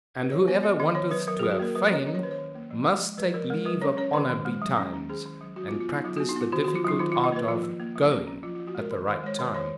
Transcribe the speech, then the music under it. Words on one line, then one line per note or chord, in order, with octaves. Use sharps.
And whoever wanteth to have fame, must take leave of honour betimes, and practise the difficult art of--going at the right time.
B4
F3 C#5
B3 C#5
B3 D#5
D#3 D#5
D#3 C#5
F#3 B4
F#3 A#4
F#3 G#4
F#4
A#3 A#4
F#3 B4
D#5
C#4 C#5
C#4 D#5
C#5
D#3 B4
C#5
D#3
A#3
F3
F3
G#3
F3 B4
F3 A#4
G#3 A#4
F#3 B4
C#4 C#5
C#4 C#5
D#3 B4
D#3
G#3
F#3
C#4
C#4
D#3 G#4
D#3
F#3
F#3 F#4
F4
B3
F4
B3 D#4
F#3 F4
B3 F#4
D#4
B3 F4
D#3 F#4
D#3 F#4
F4
F#3 D#4
D#3 F4
D#3 F4
D#5
A#3 B4
F3 F4
F3
A#3
F#3
C#4
C#4
F3 F4
F3 F4
F#4
G#3 A#4
D#3
D#3
G#3 C#5
D#3 B4
D#3 C#5